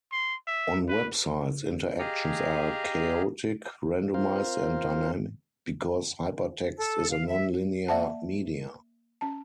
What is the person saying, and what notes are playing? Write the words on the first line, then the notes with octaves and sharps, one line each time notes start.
On websites, interactions are chaotic, randomized and dynamic because hypertext is a non-linear media.
C6
E5
B4
G4 G#4 D#5 F5 G#5 A#5
C4 F4 A#4 C5 F5
A4
F5
E5
A#3 D5 E5 F#5 A5
C#4 A5